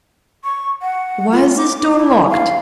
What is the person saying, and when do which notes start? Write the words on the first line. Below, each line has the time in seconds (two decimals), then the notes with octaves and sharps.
Why is this door locked?
0.44 C#6
0.82 F#5
1.32 F4
1.57 D6
1.95 E4
2.30 F5